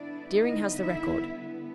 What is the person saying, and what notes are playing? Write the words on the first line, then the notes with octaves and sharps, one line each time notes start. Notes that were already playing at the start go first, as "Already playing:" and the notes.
Deering has the record.
Already playing: D3 G3 B3 D4 E4 D5
D#4 D#5
E4 E5